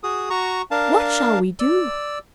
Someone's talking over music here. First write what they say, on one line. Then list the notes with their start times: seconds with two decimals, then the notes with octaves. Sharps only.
What shall we do?
0.03 F#4 G#4 D#6
0.30 F#4 A#5 C#6
0.71 D4 A#4 F5 A5
1.60 D5 E6